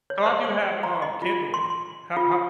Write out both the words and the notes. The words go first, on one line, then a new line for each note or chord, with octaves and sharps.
Oh, I do have, um, Kindle. How how
C#5
C5
C5
A#5
D#5
F4
C6
C6
F4